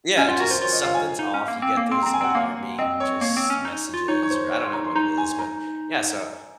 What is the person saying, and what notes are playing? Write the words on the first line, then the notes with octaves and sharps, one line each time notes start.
Yeah, just something's off. You get those alarming, just messages, or I don't know what it is. But, yeah, so
C#4 G#5
F4 F#5
F#4 A#4
F4 C5
F4 C#5
D#5
F5
G#5
D#4
C#4
A#3
C4
A#3
C4 C6
C4 A#5
G#5
C4 F#5
A#3 F5
C4 D#5
C#5
A#3 C#5
C4
C#4
D#4
F4
D#4 C#5
C#5
C5
C#5
C6
A#5
C6
D#4 A#5
G#5
A#5